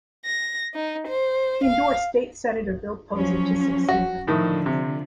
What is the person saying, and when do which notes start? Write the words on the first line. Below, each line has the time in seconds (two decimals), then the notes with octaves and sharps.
He endorsed state Senator Bill Posey to succeed him.
0.25 A#6
0.74 D#4
1.08 C5
1.64 F5
3.13 F3 F#3 C#4
3.89 F#4
4.27 A2 D3 D#3 F3
4.66 C3